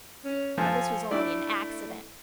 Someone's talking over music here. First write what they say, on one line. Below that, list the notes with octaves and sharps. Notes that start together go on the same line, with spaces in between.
Now, this was only an accident.
C#4
F3 A4 G#5 A5
A3 D4 E4 D5